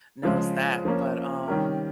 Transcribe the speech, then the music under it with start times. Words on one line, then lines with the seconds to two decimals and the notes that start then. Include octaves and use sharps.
knows that, but, um
0.23 C#3 F3 G#3
0.85 F3 A#3 C#4
1.48 D#3 G3 C#4 G4 A#4